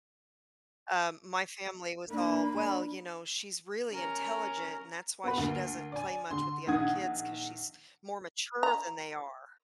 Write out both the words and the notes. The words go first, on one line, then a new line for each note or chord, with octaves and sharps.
Um, my family was all, "Well, you know, she's really intelligent and that's why she doesn't play much with the other kids 'cause she's more mature than they are."
A#3 D4 B5
D4
C#4 A#4
B3 F#4 B4
D2 A#3
D5 G#5
D3 C6
A#1 D#3 F#5 D#6 G#6
A#5